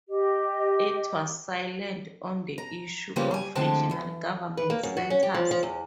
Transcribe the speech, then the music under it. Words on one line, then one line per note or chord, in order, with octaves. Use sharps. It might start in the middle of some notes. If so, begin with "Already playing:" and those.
It was silent on the issue of regional government centers.
G4 D#5
A#5
C#3 E3 F3 G3 A#3 C#4
G3 G#5
D2 D3 F3 G#3 C4 A5
E3
B4
A#3
F#2
F#4
C#4
G4
F3
F3
E2